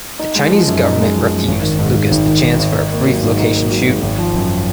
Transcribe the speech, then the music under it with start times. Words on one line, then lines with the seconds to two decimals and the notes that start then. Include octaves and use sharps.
The Chinese government refused Lucas the chance for a brief location shoot.
0.19 D#4
0.35 G#3
0.51 F3
0.68 F#2
0.84 D#4
1.00 G#3
1.15 F3
1.31 F#2
1.48 G#1
1.62 D#3
1.79 G#2
1.95 G#1
2.11 G#1
2.26 D#3
2.42 G#2
2.59 G#1
2.75 D#4
2.91 A#3
3.07 F#3
3.22 G#2
3.39 D#4
3.55 A#3
3.70 F#3
3.87 G#2
4.02 G#1
4.19 F3
4.35 F#2